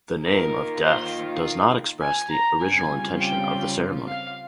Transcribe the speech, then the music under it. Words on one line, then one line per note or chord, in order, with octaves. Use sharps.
The name of Death does not express the original intention of the ceremony.
D#3 A#3 F4 A#4
C5
G#5
A#5
C#3 G3 C4 F4 G#5
G5
F5